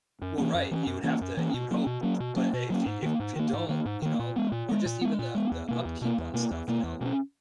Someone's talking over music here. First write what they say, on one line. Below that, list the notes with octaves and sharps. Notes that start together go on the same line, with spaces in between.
Well, right, you would have to you would hope t but if you if you don't, you know, or just even the the upkeep on stuff, you know,
F#2
E3 A#3 C#4
F#2
E3 A#3 C#4
F#2
E3 A#3 C#4
F#2
E3 A#3 C#4
B2
F#3 A#3 C#4
B2
F#3 A#3 C#4
B2
F#3 A#3 C#4
B2
F#3 A#3 C#4
G#2
D#3 A#3
G#2
D#3 A#3
G#2
D#3 A#3
G#2
D#3 A#3
A#2
G#3 B3
A#2
G#3 B3
A#2
G#3 B3
A#2
G#3 B3
E2
B2 A#3
E2
B2 A#3
E2
B2 A#3
E2
B2 A#3
E2
B2 A#3 C#4